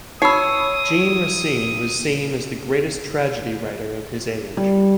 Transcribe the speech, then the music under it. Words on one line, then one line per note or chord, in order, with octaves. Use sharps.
Jean Racine was seen as the greatest tragedy writer of his age.
D#4 C#5 B5 D#6 E6 C7
G3